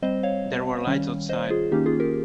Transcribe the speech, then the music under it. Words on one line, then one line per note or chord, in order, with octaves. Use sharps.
There were lights outside.
G3 C4 C5 D#5
C#5 F5
D#3 G3 C#4
C5 D#5
F4 G#4
D#3 A#3 C#4 D#4 G4
F4 G#4
G4 A#4